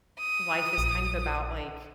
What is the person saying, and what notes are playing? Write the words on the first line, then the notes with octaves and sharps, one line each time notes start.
life is kind of about, like,
D#6
A#1